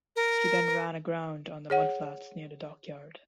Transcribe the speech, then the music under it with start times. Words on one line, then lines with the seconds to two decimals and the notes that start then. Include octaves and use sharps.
She then ran aground on the mudflats near the dockyard.
0.16 A#4
1.70 G#4 C#5 F#5